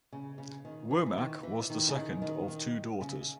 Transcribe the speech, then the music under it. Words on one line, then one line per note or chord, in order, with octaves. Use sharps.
Womack was the second of two daughters.
C#3
C#3
D#3
E3
E3
D#3
E3
D#3
C#3
D#3
D#3
D#3
C#3